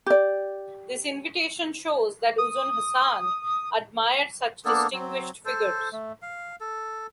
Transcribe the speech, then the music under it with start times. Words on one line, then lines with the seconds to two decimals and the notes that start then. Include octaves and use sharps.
This invitation shows that Uzun Hasan admired such distinguished figures.
0.06 G4 D5
2.38 D#6
4.65 A#3 B3 D4 A4
4.93 F#3 C4
5.45 A4 C5
5.93 A3
6.22 F5
6.61 A4